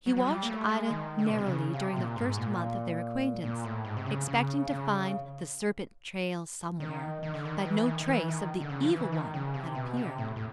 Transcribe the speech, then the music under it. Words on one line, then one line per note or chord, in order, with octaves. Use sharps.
He watched Ida narrowly during the first month of their acquaintance, expecting to find the serpent-trail somewhere; but no trace of the evil one had appeared.
F#3
F#3
G3
A#3
A3
G#3
D#3
D3
B2
C3
C#3
C3
A#2
G#2
A#2
A#2
A2
G#2
C3
C#3
C#3
C#3
D#3
D#3
D3
D#3
E3
D#3
D#3
E3
D#3
D3
C#3
F3
E3
D#3
C#3
C3
B2
C3
A2
A2